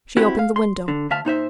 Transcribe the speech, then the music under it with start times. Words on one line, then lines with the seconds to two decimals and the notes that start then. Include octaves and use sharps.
She opened the window.
0.17 C4 E4 F#4 G4
0.39 F5
0.56 C6
0.88 D3
1.11 D2 E5 F5 A5
1.25 A#2 D#4 C5 E5